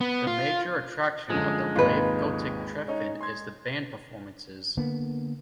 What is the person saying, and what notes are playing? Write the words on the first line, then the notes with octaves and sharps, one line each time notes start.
The major attraction of the Wave-Gotik Treffen is the band performances.
B3
F4
F#2 D3 F3 G#3
G#1 D#2 D#4 F4 B4
C#4 D#4
C6 G#6
D3 A#3 B3